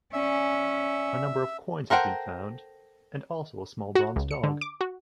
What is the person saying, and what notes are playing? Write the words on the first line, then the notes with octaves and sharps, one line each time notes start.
A number of coins have been found and also a small bronze dog.
C#4 D5 E5 G#5
A4 A#4 C5 F#5 G5
F#4
C#2
C#7
D3
D6
F#4